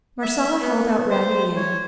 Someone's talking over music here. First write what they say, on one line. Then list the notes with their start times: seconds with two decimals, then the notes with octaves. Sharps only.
Marcella held out Raggedy Ann.
0.22 E5
0.61 B3
1.10 C5
1.56 C#5